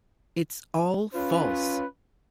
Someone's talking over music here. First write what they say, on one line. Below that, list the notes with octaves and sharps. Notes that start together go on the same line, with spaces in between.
It's All False!
C#4 F4 B4